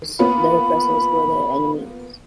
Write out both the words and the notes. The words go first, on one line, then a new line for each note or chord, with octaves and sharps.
Their oppressors were their enemies.
A#3 B3 F4 B5